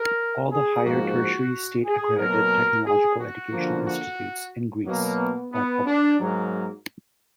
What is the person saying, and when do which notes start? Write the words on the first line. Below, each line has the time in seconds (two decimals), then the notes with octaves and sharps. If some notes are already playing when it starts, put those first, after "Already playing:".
All the higher tertiary state-accredited technological educational institutes in Greece are public.
Already playing: A#4
0.51 G#4
0.84 G#2 F3 A#3 F#4
1.84 G#4
2.17 B2 F#3 A#3 A#4
2.84 G#4
3.18 F#4
3.51 D3 F3 A#3
3.85 F#4
4.85 B2 F#3 A#3
5.18 B3
5.52 B3
5.85 D4
6.18 G#2 F#3 A#3